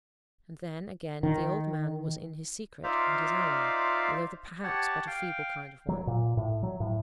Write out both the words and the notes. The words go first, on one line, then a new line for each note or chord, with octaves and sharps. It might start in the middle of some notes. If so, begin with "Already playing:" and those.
And then, again, the old man was in his secret, and his ally, although perhaps but a feeble kind of one.
D#3
D#4 F4 C5 D5 E5 F5
G4 C#5 F#5 A5
F5 G5
F#3
A#2
A2
F#3
A2